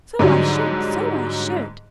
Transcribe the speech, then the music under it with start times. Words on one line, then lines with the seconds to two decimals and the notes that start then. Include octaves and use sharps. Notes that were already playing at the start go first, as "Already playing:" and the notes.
So I should! so I should!
0.19 G#2 D3 F#3 G3